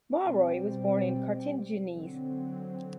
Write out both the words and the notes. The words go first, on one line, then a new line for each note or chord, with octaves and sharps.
Mauroy was born in Cartignies.
B2 G3 C4
D3 F#3 C4